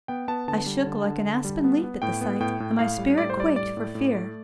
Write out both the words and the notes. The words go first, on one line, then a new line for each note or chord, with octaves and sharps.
I shook like an aspen leaf at the sight, and my spirit quaked for fear.
B3 G5
B3 A5
D3 A5
G3
D3
D3
D3
G3
B3
B3
A2 G5
B3
A2 G5
A2
A2 F5
G3
A2 D5
C5
G3 D5
A2 D5
A2
A2
A3